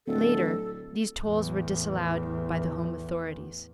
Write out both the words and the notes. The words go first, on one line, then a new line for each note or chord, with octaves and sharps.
Later these tolls were disallowed by the home authorities.
D1 A4
E2 A2